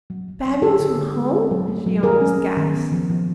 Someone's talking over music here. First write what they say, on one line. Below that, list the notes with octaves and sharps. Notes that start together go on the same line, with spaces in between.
"Bad news from home?" she almost gasped.
F#3
F#3
F#3
D3 G4 A4
D3
D3
G#3
C4
F#3
A3
F#3
D#3 G#4 A#4
C#4
C#4
D#3
B3
F3
F3